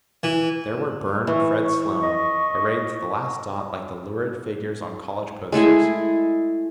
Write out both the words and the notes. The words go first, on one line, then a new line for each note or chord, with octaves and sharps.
There were Burne and Fred Sloane arrayed to the last dot like the lurid figures on college posters.
E3
E3 C#6
D#5
G#3 A3 E4 G#4